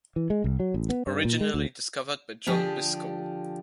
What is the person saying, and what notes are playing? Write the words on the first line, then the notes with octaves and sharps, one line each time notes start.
Originally discovered by John Biscoe.
E3
G#3
C2
F#3
A1
B3
G2
A#2
G#3
D2
D3 F3 G4 G#4